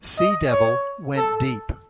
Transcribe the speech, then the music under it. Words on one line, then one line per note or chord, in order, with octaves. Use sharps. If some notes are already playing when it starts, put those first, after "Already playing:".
"Sea Devil" went deep.
D#5
C#5
A4